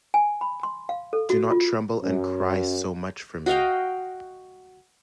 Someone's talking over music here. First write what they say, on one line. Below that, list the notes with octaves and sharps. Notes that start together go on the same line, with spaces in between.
Do not tremble and cry so much for me.
G#5
B5
C6
F5
A4
F#4
F4
F#2
F#4 D#5 F5 G5